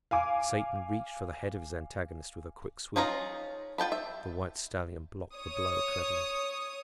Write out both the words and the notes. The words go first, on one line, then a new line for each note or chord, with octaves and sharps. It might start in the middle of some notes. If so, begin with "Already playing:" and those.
Satan reached for the head of his antagonist with a quick sweep. The white stallion blocked the blow cleverly.
F5 G#5 D6
C#4 D#4 F4 G#4 A#5
F4 G5 A5 B5
E5
C#5 D#6